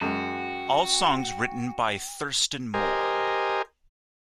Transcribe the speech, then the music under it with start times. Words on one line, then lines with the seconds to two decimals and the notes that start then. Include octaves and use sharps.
All songs written by Thurston Moore.
0.01 F#2 G#3 F#4 G5
2.74 G4 A#4 C5 D#5 G#5